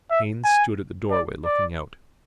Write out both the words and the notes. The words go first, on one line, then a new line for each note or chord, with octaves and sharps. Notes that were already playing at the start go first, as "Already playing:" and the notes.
Haines stood at the doorway, looking out.
E5
G#5
D5
D5